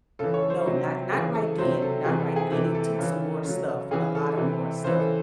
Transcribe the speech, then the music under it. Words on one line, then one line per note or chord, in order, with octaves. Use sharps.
No. Not not right then. Not right then. It took some more stuff, a lot of more stuff.
C#3 E3 A4
C#5
A4
C5
C3 F#3
C#3 E3 G#4
A4
C3 F#3 C5
C5
A4
C3 E3 G#4
A4
G#4
C3 E3 A4
A4
C#3 E3
C#3 F#3
C#3 E3 G#4
A4
C3 E3
C#3 E3 C5
A4